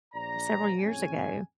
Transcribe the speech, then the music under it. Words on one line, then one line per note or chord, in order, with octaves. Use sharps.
several years ago,
A#1 D5 A#5
F2 A2 G#3 C#4 G#5